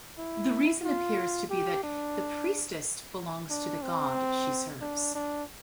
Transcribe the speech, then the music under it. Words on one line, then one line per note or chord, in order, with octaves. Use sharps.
The reason appears to be that a priestess belongs to the god she serves.
E4
F4
G4
D4
D4
C4
D4
D4